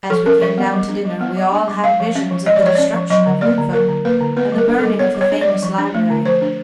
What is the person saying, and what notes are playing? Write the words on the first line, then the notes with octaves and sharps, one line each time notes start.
As we came down to dinner we all had visions of the destruction of Louvain, and the burning of the famous library.
F3 A4
C#4 A#4
F3 E5
B3
G3
D4
G3
B3
G3
D4
G3
G#3 F5
F3
C#4 E5
F3
G#3 D#5
D5
F3 C#5
C#4 D5
F3
F#3 D#5
D3
A#3 D5
D3
F#3 A#4
D3
A#3 B4
D3
B3 B4
G3
A#4
D4
A4
G3
B3 C#5
G3
C#5
D4
D5
G3
F3
D4
A3
D3
F3 C5
D4